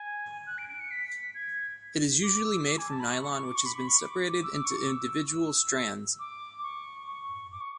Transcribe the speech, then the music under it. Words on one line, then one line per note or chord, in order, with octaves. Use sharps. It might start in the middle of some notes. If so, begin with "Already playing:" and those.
It is usually made from nylon which has been separated into individual strands.
Already playing: G#5
F#6
D7
D7
C#7
B6
G#6
D6
E6
D6
G#5
A5
B5
C#6
C#6
C#6
D6
C#6
B5
B5
C#6
D6
D6
E6
D6
C#6
D6
E6
D6
C#6
C#6
D6
C#6